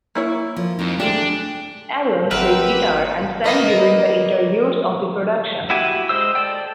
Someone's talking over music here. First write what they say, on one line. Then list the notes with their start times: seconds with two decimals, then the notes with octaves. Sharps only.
Allen played guitar and sang during the interludes of the production.
0.15 A#3 E4 C#5
0.56 F3
0.79 F2 C4 D#4
1.00 G#3 A3 D4 G4
2.31 G#1 E3 C4 G4 A#4 B4 E5 F#5
3.44 A#3 B3 D#5
5.70 E4 F#4 G4 G#5
6.09 G#3 C5 E6
6.35 A4 D5 G5